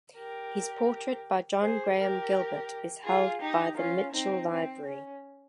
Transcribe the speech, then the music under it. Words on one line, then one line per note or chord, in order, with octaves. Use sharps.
His portrait by John Graham Gilbert is held by the Mitchell Library.
G4 A#4
G#4 C5
G4 A#4
F4 G#4
D#4 G4
C#4 F4
C4 D#4
C4
C#4